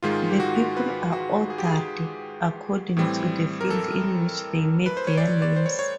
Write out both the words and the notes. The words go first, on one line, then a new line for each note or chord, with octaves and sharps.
The people are ordered according to the field in which they made their names.
G#2 D#3 G#3 F4
G4
F#4
B4
F#4
G#4
G4
G#4
A2 E3 G3 C4
A#4
A4
B4
C5
C#5
D5
D5
C5
C#5
C#5